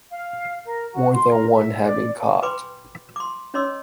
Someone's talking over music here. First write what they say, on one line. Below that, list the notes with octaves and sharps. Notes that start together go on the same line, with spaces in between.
More than one had been caught.
F5
A#4
F#4
C6
A#4
E5
D5
B4 G5 G#5 B5 C6 D6
C6 D6
C#4 C#5 D#5 C6 D6 E6